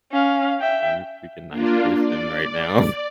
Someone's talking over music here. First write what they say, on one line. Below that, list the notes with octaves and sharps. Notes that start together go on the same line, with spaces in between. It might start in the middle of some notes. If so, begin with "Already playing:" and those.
I'm a freaking nice person right now,
C#4 F5
E5 G5
A#3 D4 F4
D5